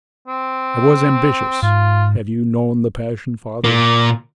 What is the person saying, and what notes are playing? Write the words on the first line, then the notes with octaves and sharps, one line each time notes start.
I was ambitious--have you known The passion, father?
C4
G#2 F4
A#2 A#3